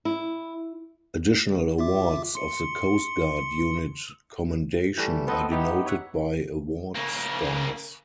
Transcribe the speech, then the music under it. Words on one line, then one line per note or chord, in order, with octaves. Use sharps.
Additional awards of the Coast Guard Unit Commendation are denoted by award stars.
E4
F4 E5 D6
C6 C#7
E3 G3 A3
B3 C4 A4 B4 C5 D#5
B3 D#4 E4 G4
C#5 E5 F#5
C#3 A#3